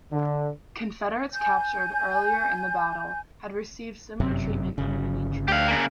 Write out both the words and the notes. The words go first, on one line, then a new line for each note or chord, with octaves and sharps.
Confederates captured earlier in the battle had received similar treatment from Union troops.
D3
G#5 G6
G1 F#2 C3
G1 C#3
D2 G4 F5
C#3 A#3